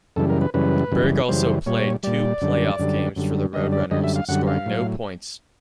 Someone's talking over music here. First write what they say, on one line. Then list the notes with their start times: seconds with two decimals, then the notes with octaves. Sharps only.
Berg also played two playoff games for the Roadrunners, scoring no points.
0.16 F#2 C#3 E3 G3 A4
0.30 A#4
0.41 B4
0.54 F#2 C#3 E3 G3 B4
0.92 F#2 C#3 E3 G3
1.29 F#2 C#3 E3 G3 C5
1.66 A#2 G3 C#5
2.03 A#2 G3 D5
2.41 F#2 D3 G3
2.79 F#2 D3 G3
3.16 F#2 D3 G3
3.53 F#2 D3 G3 D#5
3.72 D5
3.91 F#2 D3 G3 D#5
4.04 E5
4.16 F5
4.28 F#2 D3 G3 F#5
4.47 F5
4.66 A2 F#3